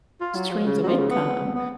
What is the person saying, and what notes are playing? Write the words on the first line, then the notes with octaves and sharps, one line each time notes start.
streams of income,
F4
F#3
F3
C#3
F#3
F3
C#3
B3
B3